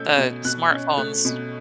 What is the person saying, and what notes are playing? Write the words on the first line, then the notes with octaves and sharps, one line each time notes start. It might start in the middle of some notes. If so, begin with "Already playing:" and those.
the smartphones
Already playing: B2 A3 C#4 E6 G6
B2
B2 F#6
C#4
A3 F#6
B2